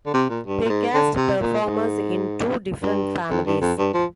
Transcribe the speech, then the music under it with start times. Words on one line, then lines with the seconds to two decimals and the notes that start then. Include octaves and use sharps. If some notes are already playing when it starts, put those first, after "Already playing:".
They cast performers in two different families.
0.06 D3
0.14 C3
0.30 A#2
0.47 G2
0.65 A#2
0.69 G#2
0.94 D3
1.16 C3
1.41 A#2
1.65 G#2
2.83 G2
3.30 F2
3.47 G2
3.61 F2
3.78 G2
3.94 F3